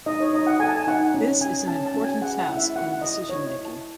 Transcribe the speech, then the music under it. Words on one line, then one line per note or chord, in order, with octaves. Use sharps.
This is an important task in decision making.
D#4 D#5
C#5
D#4 D#5
F#5
A4 G#5
A5
G#5
D#4 F#5
C#4
C#4 G#5
C#4 A5
A5
C#4
G#5
G#4 F#5
F#5
E4
E5
E4 F#5
E4 D#5
E4 C#5
D#5
E4
A5